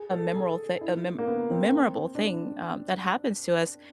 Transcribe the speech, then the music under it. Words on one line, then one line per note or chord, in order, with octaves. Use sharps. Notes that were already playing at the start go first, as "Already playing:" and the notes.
a a memorable th a mem memorable thing, um, that happens to us.
Already playing: G#4
A4
G#4
E4
A#3
B3
C4
D4